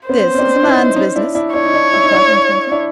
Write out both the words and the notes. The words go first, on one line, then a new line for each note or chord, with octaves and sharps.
"This is a man's business." He thought intently.
B3 C#4 C5
C#4
C4 D4
E4
C#4 D#4
C#4 D#4
D4 E4
D4 E4
D4 E4 C#5
D#4
D4 E4
E4
D#4
D4 E4
D4 E4